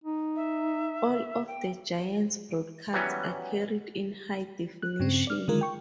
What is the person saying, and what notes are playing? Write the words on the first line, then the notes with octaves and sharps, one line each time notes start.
All of the Giants broadcasts are carried in high definition.
D#4
E5
G5
E3 F#3 G3 B3 C#4
F#6
G2 C#3 C4
D5 F6
D3 D#3 F#3 G#3 F4 A#4
G5 C#6